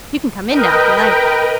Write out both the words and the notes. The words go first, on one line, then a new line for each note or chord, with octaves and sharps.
"You can come in now, if you like."
A#4 B4 D#5 G5